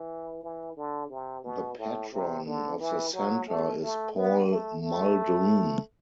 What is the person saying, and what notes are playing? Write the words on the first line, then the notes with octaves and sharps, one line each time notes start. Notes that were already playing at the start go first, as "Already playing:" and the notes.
The patron of the Centre is Paul Muldoon.
Already playing: E3
E3
D3
C3
B2
A2
C3
D3
E3
F#3
A3
A3
B3
A3
A3